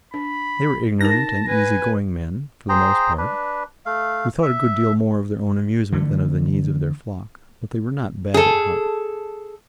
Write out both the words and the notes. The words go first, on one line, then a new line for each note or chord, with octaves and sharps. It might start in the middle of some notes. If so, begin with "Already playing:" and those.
They were ignorant and easygoing men, for the most part, who thought a good deal more of their own amusement than of the needs of their flock, but they were not bad at heart.
D4 B5
D#4 A#4 A5 A#6
B4 G#5
G#4 C5 G5 A#5
D4 B4
A3 F5
E5
D3 E3 A3
G#4 A4